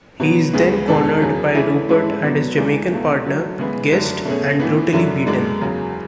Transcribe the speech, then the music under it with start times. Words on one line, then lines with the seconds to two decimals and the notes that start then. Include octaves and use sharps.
He is then cornered by Rupert and his Jamaican partner, Guest, and brutally beaten.
0.20 B2 F#3 B3
0.53 D2 C#3 G#3 B3
0.88 E2 B2 G#3 D4 A4
1.21 E2 C#3 F#3
1.55 E3 A3 C#4 E4 G#4
1.89 G#2 G#3 C#4 E4 A4
2.23 B2 F#3 B3 D4
2.56 C#2 C#3 E3 G#3 D4
2.91 C#2 B2 A3
3.25 D3 F#3 A3
3.59 C#3 E3 G#3 B3 E4
3.92 F#2 D3 F#3 A3
4.25 B2 A3 C#4 G#4
4.59 A2 E3 B3
4.93 F#2 D3 F#3 C#4 E4
5.27 F#2 D3 G#3 D4
5.61 E2 C#3 F#3